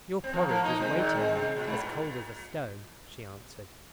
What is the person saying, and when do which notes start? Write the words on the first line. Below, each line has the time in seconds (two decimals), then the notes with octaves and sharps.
"Your porridge is waiting you--as cold as a stone," she answered.
0.24 C4
0.33 F3 A#3
0.49 F3 A#3
0.64 A#3 D#4
0.79 G#3 C4
0.95 A#2 D#3
1.15 G#3 C4
1.36 C3
1.57 A#2
1.67 G#2
1.78 A#2